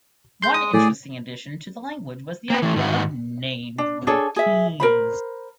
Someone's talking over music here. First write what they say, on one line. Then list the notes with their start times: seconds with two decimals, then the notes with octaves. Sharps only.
One interesting addition to the language was the idea of named routines.
0.42 G#3 C6 G6
0.54 D#6
0.74 A2 G#4 D5
2.50 A#3 B4
2.62 E3 A3
2.76 G#2 D#3 D#4 F#4
3.78 D4
4.07 D4 G#4 A4 C#5
4.36 G#4 E5
4.80 A#4 C5 B5